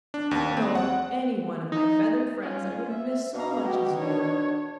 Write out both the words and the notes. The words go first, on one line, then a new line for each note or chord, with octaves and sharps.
"I don't know of any one of my feathered friends I would miss so much as you."
D4
D#2
C4
F#5
D#4
C#4 F4
E5
B2 F5 A#5
F#4 G4
D4 C#5